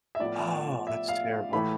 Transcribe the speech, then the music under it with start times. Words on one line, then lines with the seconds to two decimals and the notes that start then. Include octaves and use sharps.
Oh, that's terrible.
0.15 E5
0.20 A2 F3 B3 D5
0.87 E5
1.08 F5
1.53 A2 E3 A3 B5